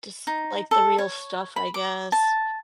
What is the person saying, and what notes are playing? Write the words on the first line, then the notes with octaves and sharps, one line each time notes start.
just like the real stuff, I guess.
D#4
A4
C#5
B5
D6
A5